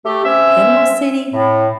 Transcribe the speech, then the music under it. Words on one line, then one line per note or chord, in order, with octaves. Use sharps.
Panama City,
A3 G4
C4 C#4 E5
A2